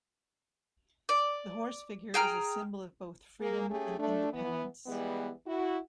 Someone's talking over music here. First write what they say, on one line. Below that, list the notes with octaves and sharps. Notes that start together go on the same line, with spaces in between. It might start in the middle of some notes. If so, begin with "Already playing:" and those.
The horse figure is a symbol of both freedom and independence.
D5
G#4 G5 A#5 F6
A#3 G#4
A3 C#4 G4 G#4
A3 D4
E3 B3
E3 G3 G#3 B3
E4 F#4